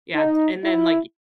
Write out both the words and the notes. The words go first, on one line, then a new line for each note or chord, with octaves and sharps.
Yeah d and then, like
D#4
E4